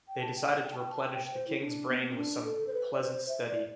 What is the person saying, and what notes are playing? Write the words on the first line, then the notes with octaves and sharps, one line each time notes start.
They decided to replenish the king's brain with some pleasant study.
G5
A5
G5
F#5
G5
A5
G5
A5
G5
G5
C5
E4
D4
B3
B3
C4
D4
A4
C5
B4
D5
C5
E5
D5